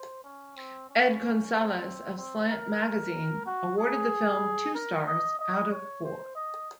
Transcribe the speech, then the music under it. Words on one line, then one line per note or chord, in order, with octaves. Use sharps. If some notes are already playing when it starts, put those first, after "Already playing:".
Ed Gonzalez of "Slant Magazine" awarded the film two stars out of four.
Already playing: C5
C#4
C4
C#4
C4
C4
A#4
F#4
G#4
A#4
D#5
D#5
C#5
C5
D#5